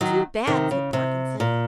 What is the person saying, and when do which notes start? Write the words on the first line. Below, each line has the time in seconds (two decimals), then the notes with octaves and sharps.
"Too bad!" said Parkinson.
0.01 D#3 F#3
0.47 C3 D#3
0.71 C#3
0.93 C3
1.40 A#2